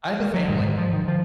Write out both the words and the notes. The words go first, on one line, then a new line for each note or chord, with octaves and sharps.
I have a family.
G#3
F#3
G#2 D#3
F3
D#3
F3